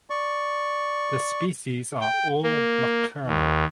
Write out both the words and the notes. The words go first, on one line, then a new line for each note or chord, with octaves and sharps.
The species are all nocturnal.
D5 C#6
G5
A#3
D#2